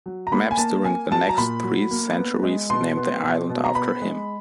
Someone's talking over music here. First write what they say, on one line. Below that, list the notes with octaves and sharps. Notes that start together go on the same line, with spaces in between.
Maps during the next three centuries named the island after him.
F#3
A#5
A#3 B5
G#5
A#3 A5
A#3 G#5
F#3 A5
A#5
A#2 B5
F#3
A#3
B3
G#3
B2 C6
B3
B2
B2
A#5
B3 B5
G#3